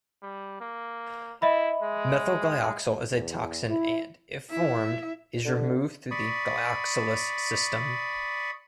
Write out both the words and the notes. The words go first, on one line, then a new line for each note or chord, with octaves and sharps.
Methylglyoxal is a toxin and, if formed, is removed through the glyoxalase system.
G3
A#3
E4 D#5 E5 B5
G#3
E2
E4
E4 E5
D3
D5 B5 C#6 D#6